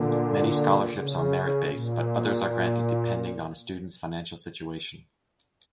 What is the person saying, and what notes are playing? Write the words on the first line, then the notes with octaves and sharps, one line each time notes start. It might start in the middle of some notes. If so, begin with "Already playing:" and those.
Many scholarships are merit-based, but others are granted depending on a student's financial situation.
Already playing: A#2 D3
C#3
A#2